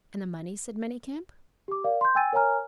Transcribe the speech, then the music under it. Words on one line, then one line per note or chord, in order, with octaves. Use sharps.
"And the money?" said Manicamp.
G4 D6
A#4 D5 F5
C6 G6
G5 G#5 E6 G#6 A6 D#7
A#4 C#5 F#5 G#5 A#5 F6